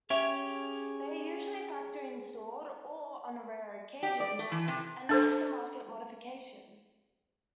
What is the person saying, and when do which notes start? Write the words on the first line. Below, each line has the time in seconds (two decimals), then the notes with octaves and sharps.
They are usually factory-installed or, on rarer occasion, an after-market modification.
0.10 C#4 G4 G#4 C#5 E5
4.03 G4
4.20 D5
4.39 A3
4.52 E3
4.68 C3
5.09 D4 A4 C5